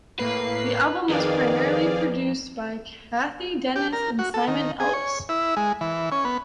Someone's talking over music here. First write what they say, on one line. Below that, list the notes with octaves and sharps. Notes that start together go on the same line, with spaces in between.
The album was primarily produced by Cathy Dennis and Simon Ellis.
A2 A#3 B4 C7
F2 D#3 G#4 B4 D5 F5
G4
A#4
F#4
A4
D#3
G#4
C#5
E4
G#3
E3
C#4
B3